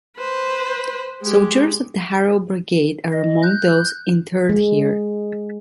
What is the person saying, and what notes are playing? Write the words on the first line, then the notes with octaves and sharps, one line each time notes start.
Soldiers of the Harel Brigade are among those interred here.
B4 C5
G#3 G4
D#5
F#6 G6
G#3